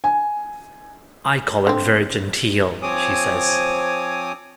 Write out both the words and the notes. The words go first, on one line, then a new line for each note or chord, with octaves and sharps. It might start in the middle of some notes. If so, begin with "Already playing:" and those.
"I call it very genteel," she says.
G#5
D3 C4
F3 C4 C#5 G#5 D6 D#6